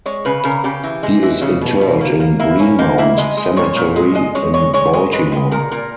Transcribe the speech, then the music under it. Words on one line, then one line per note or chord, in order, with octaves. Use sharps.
He is interred in Greenmount Cemetery in Baltimore.
G#3 C#5
C#3 B4
C#3 A#4
C#3 G4
E3
G#3
E3
C#3
B2
B2
A#3
A#3
A#3 E4
A#3 C#4
A#3 D#4
A#3 E4
G#3 D#5
G#3
A#2 C#5
A#2
G#3
G#3 D#5
G#3 C#5
G#3 C#5
G#3 C#5
G#3
G#3 B4
G#3
A#2 A#4
A#2 A#4